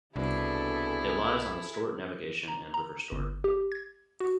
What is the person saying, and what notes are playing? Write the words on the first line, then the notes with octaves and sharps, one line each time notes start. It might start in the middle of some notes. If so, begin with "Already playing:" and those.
It lies on the Stort Navigation and River Stort.
C2 B2 C4 D4 E4 G#4 A4
A#5
A#5
G1
G4
G#6
F#4